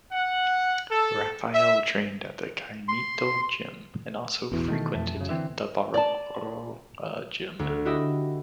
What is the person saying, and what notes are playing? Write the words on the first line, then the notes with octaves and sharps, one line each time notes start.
Rafael trained at the "Caimito Gym", and also frequented the Bairoa Gym.
F#5
A4
E5
C6
A1 E2 B2 E3
D#3 G3 A3
F2 A3
F#2 C#3
D3 E3 C4 E5
D5 A5
D2
E4 F#4 G4 D#5 E5